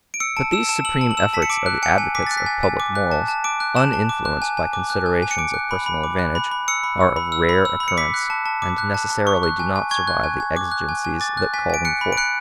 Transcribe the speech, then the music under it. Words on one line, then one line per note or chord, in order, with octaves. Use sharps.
But these supreme efforts of the advocates of public morals, uninfluenced by considerations of personal advantage, are of rare occurrence, and necessarily do not survive the exigencies that call them forth.
D7
E6 C#7
A5 D7
E6 E7
A5 E7
E6 F#7
A5
F#7
E6 E7
A5 B6
C#7
D6 D7
F#6
G#5 C#7
G#5
D6 B6
F#6 A6
B6
G#5
G#5
D6
F#6
A5
A5
D6 D7
F#6
A5 E7
A5
D6
F#6
G#5
G#5
D6
F#6
G#5
G#5
C#7
D6 D7
F#6
B5
B5
D6
F#6
B5
B5
E6 C#7
B5
E6
B5
E6
B5
E6
B5
C#7
D6 B6
F#6
A5
A5
D6
F#6
A5
A5
C#6
F#6
G#5
G#5
C#6 G#6
F#6
G#5
G#5
D6
F#6
G#5
G#5
D6 A6
F#6
G#5 B6
G#5 D7
F#6 C#7
B5
D7
F#6 C#7